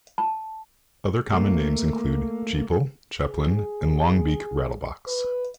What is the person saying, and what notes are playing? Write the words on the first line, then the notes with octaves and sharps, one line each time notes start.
Other common names include chepil, chepilin, and longbeak rattlebox.
A5
A3 A#3
G#4
B4